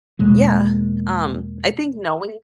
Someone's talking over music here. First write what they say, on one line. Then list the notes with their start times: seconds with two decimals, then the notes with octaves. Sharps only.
yeah, um, I think knowing
0.19 E2 B2 G#3 A#3